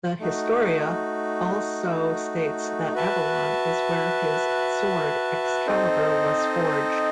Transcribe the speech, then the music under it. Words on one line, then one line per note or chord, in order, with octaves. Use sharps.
The "Historia" also states that Avalon is where his sword Excalibur was forged.
A3 D#4 F#4
F#4 B4 E5 A5
C4 D#4 A4 C5 D#5